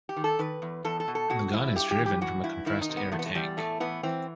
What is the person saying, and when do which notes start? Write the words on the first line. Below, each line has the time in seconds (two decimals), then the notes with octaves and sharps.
The gun is driven from a compressed-air tank.
0.09 G4
0.16 D#3
0.24 A4
0.39 D#3 B4
0.62 E2
0.84 E2 A4
1.00 A4
1.08 B2
1.15 A4
1.30 B2 F#4
1.53 E2 E4
1.76 G2 G4
1.91 G4
1.99 E3
2.06 G4
2.21 E3 F#4
2.43 G2 E4
2.66 D#3 E4
2.81 D#4
2.89 C3
2.97 B3
3.12 E2 A3
3.19 B3
3.26 A3
3.35 E2 G3
3.57 A2 A3
3.80 E3 B3
4.03 E3 C4